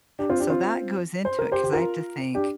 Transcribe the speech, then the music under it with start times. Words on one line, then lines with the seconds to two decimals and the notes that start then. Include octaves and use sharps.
So, that goes into it, 'cause I have to think,
0.19 D4 G4
0.30 C4 F4
0.40 D4 G4
0.50 C4 F4
1.25 C5
1.39 A#4
1.52 G4 C5
1.63 G4
1.73 F4 A#4
2.34 D4 G4